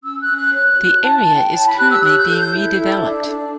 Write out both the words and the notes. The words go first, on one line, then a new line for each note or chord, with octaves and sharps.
The area is currently being redeveloped.
C#4 E6
F#6
C#4
F#6
C#5 F#6
F#4
E4 A5
A5
E4
G5
C#5 A5
B5
G4 F#6
E6
C#5 F#6
G6
A4
G6
E4
A4
D4
D4